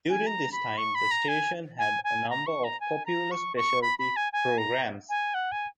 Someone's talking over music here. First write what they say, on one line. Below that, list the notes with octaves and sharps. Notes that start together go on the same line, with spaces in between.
During this time the station had a number of popular specialty programs.
G#5
A#5
B5
C#6
B5
A#5
G#5
G#5
G#5
A#5
C#6
A#5
G#5
A#5
C#6
C#6
B5
B5
G#5
G#5
A#5
G#5
F#5
G#5